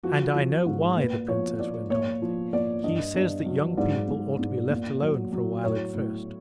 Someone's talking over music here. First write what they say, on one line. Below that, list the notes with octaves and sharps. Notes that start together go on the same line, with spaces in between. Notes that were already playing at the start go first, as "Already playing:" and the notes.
"And I know why," the princess went on; "he says that young people ought to be left alone for a while at first."
F3 F#4
F3
G#2
A#2 B4
F3 C#5
F3 D5
A#2 C#5
F3
A#2 D5
G2 D#5
G2
F#3
G#2 D5
G#2
G#2
A#2
F#3
F#3
A2 C#5
A2